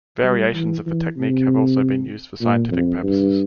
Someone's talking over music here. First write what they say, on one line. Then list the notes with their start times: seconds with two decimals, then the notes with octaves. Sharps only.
Variations of the technique have also been used for scientific purposes.
0.24 G3
0.54 E3
0.86 E3
1.16 C3
2.41 A#2
2.72 F2
3.03 G2